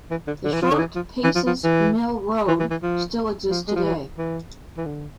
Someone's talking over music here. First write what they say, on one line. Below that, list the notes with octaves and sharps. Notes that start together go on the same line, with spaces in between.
The short Paces Mill Road still exists today.
E3
D3
D3
E3
F3
D3
E3
F3
E3
F3
F3
E3
E3
E3
E3
F3
F3
G#3
F3
E3
E3
E3
D3